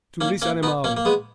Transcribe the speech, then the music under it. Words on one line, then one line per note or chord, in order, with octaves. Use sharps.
Tu ris, animal?
A#3 C#4
A#3 C#4
B3 D#4
A#3 C#4
A#3
G#3 B3